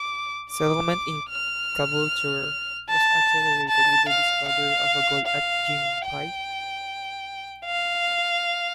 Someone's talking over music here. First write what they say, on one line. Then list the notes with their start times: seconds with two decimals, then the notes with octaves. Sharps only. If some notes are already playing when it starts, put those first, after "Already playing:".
Settlement in Caboolture was accelerated with the discovery of gold at Gympie.
Already playing: D6
0.51 D6
1.29 F6
2.89 A5
3.68 A5
4.08 F5
4.48 F5
5.26 F5
6.05 G5
7.65 F5